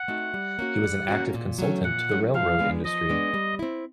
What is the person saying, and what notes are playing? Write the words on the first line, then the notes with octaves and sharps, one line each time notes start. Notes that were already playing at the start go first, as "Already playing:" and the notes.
He was an active consultant to the railroad industry.
Already playing: F#5
A3 C4 D#4 F#4
G3
A#3 C#4 F#4
G3
A#3 C#4 F#4
A#2
F#3 A3 C#4
A#2 F#5
F#3 A3 C#4
F3 F5
G#3 B3 D4
F3 D#5
G#3 B3 D4
G3
C4 E4